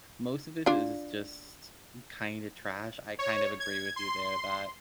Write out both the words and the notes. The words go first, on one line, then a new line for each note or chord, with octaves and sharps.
Most of it is just kinda trash. I kind of agree with you there that
D4 F4
C#5
G#6
C6